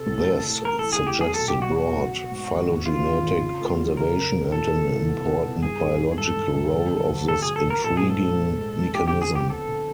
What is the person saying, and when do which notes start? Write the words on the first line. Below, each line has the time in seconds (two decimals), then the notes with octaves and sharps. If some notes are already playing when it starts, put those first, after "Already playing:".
This suggested broad phylogenetic conservation and an important biological role of this intriguing mechanism.
Already playing: C3 A4
0.09 A2
0.28 A2
0.47 A2
0.65 E3 A#4
0.79 A4
0.84 E3
0.93 G#4
1.03 A3 G4
1.21 F#3 G#4
1.34 B2 A4
1.48 G4
1.57 B2 F#4
1.76 F#3 F#4
1.94 B2
2.13 B2
2.31 G#2
2.50 G#1
2.68 G#1
2.86 G#1 F4
3.05 G#1
3.22 G#1
3.42 C#3
3.60 A3
3.79 F#3
3.96 C#3 A#4
4.15 F#3
4.34 C#3
4.52 A#2 A4
4.70 A#2
4.89 C2
5.08 B3
5.26 B3
5.45 C2
5.63 G2 G#4
5.81 D#3
5.99 D#3
6.18 G2 A4
6.37 G2
6.54 G2
6.73 D2
6.91 F#3
7.10 D2
7.28 D2 A4
7.42 D2 G#4
7.56 A4
7.65 D2
7.70 A#4
7.84 A#1 A4
7.97 G#2 G#4
8.10 A4
8.21 A#1
8.39 G#2
8.57 G#3
8.76 G#2
8.94 F2 G4
9.08 G4
9.13 D3
9.22 G#4
9.31 B3 G4
9.49 B3 A4
9.68 D3